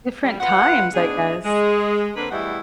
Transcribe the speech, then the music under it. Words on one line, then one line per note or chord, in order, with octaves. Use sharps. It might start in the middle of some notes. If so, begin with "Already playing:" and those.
Different times, I guess.
G3
F4 B4 F5 F#5
A2 B3 D4 D#4 G#4
G#3
D3 A#3 C4 D4 A#4 B4
E2 G3 A3 E4 D#5 F#5